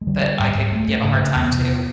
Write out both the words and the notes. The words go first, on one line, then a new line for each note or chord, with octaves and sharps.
that I could give a hard time to
G#3
D3 G3
D3
G#2
G#2
G#2 A3
G#2
C#3
C#3
E2 B3
C3